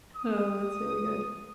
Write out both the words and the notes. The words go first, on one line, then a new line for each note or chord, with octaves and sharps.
Oh, that's really good.
D#6